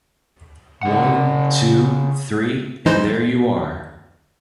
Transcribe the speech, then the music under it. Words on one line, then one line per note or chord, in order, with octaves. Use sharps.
One, two, three, and there you are!
C#3 F#5
E3 D#4 C5